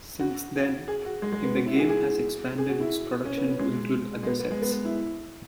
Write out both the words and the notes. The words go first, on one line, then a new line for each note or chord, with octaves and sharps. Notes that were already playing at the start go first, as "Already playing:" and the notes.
Since then, In The Game has expanded its production to include other sets.
F#4
G#4
F#4
G#3
G#3
B3
F#4
E4
F#4
G#4
G#4
G#4
F#4
E4
C#4
B3
B3
G#3
G#3
B3
B3
G#3
B3
B3
E4